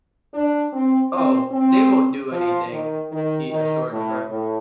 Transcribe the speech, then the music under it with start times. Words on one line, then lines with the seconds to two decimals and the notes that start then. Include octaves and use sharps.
"Oh, they won't do anything," he assured her.
0.34 D4
0.73 C4
1.12 C4
1.52 C4
2.32 F3
2.72 D#3
3.11 D#3
3.51 D#3
3.91 A2
4.30 A2